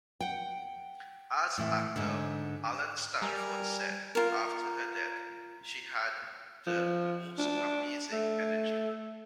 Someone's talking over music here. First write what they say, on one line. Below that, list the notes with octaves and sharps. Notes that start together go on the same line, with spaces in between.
As actor Alan Stanford said after her death, She had the most amazing energy.
F#5 G5
A2 E3 E5
G#2 D3
G3 A#4 G#5 A#5
F4 A#4
F3
D4
A3